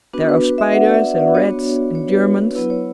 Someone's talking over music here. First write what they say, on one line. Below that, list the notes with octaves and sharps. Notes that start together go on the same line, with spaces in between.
There are spiders, and rats, and Germans.
B3 D4 F#4 B4
B4
B4
E5
F#5
E5
D5
E5
D5
D5
B3 D4 F#4 C#5
C#5
B4
F#3 B3 E4 B4
C#5